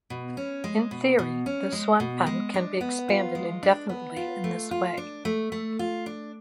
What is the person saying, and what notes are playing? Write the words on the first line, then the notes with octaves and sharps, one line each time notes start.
In theory, the suanpan can be expanded indefinitely in this way.
B2
C#4
G#3
B2
B2
C#4
G#3
B2
G#3
D4
B3
F4
G#3
D4
B3
F4
A3
F4
D4
A3
A3
F4
D4